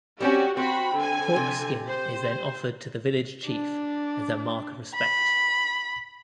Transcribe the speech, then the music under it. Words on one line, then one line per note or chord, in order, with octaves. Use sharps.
Pork skin is then offered to the village chief as a mark of respect.
G3 C4 C#4 F#4 G4
C4 F#4 B5
D3 G#5
C3
C5
D4
B5